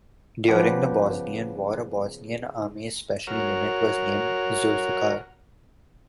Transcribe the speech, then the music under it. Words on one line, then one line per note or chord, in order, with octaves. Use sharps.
During the Bosnian War, a Bosnian army's special unit was named "Zulfikar".
C#3 F3 B3 G4
F#4 A#4 C#5 F6